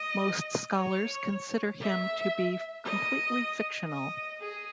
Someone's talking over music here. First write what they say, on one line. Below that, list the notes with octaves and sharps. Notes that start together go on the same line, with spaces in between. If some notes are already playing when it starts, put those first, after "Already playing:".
Most scholars consider him to be completely fictional.
Already playing: D#5
C#5
E5
D#5
D#5
G#4